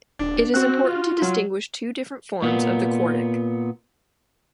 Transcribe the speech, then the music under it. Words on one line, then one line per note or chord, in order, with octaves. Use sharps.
It is important to distinguish two different forms of the quartic.
D#1 D4
C4 F#4 F#6
F4
F#3
A#2 B3